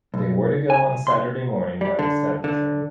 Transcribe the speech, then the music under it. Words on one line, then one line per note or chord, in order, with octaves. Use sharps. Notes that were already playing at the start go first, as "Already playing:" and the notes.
They were to go on Saturday morning by the seven train.
B1
G#5
C6
G3
D3
D3